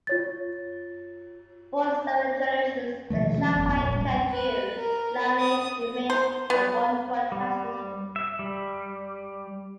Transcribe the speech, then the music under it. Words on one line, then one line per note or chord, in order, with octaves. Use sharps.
For seven generations, the Shangpa Kagyu lineage remained a one-to-one transmission.
F4 C#5 A6
B2 D#3 F3 A3
F3 G3 C#4
G1 F2 B3
D#1 A#1
A#1 F2 G3
B4
A#4
D#6
C5
B3
G3
E5
G3